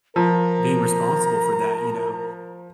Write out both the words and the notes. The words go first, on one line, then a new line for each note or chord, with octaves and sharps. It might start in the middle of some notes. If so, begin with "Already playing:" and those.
being responsible for that, you know.
F3 A#4 A#5